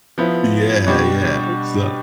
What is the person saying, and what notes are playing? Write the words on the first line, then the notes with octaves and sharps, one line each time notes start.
Yeah, yeah, so.
F3 B3 E4
B2 G3 D4